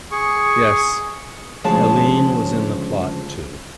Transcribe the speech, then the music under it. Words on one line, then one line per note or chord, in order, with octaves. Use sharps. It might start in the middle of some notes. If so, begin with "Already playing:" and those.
Yes, Helene was in the plot too.
G#4 C#6
D2 C#3 F3 G#3 C#5 A5